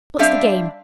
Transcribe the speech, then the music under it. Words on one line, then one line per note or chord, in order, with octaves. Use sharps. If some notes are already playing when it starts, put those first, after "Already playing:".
What's the game?
G3 C4 D4 E5 F5